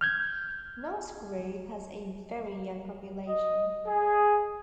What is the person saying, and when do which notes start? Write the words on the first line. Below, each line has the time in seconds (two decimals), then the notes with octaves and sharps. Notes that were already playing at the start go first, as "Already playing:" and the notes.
Nutgrove has a very young population.
0.01 F6 G6 G#6
3.27 D#5
3.85 G#4